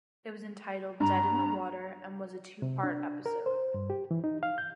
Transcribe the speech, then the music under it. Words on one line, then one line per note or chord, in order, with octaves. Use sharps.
It was entitled "Dead in the Water" and was a two-part episode.
G2 A#5
C3
D4
A#4
C5
G2
G4
E3
D#4
F5
G6